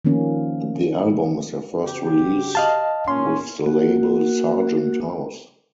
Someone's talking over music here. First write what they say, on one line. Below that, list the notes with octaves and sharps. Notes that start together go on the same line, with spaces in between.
The album is their first release with the label Sargent House.
D#3 F3 A#3 C#4
C#3 F#4 G4
D#5 F5 A5
A#2 A#3 C#4 C6
A#3 F#4